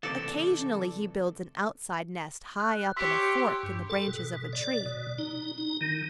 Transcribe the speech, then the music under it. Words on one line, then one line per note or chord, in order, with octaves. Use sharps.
Occasionally he builds an outside nest high up in a fork in the branches of a tree.
C#2 C3 E3 A4 D5
F#6
G4 C#5 C6 E6 B6
G2
A4
B2
D5
B2
D#4
D#4
D#3